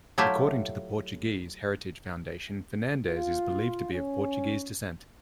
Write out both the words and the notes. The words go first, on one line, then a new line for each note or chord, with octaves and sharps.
According to the Portuguese Heritage Foundation, Fernandez is believed to be of Portuguese descent.
F#3 A3 E4 F4 G4 E5
F4
C#4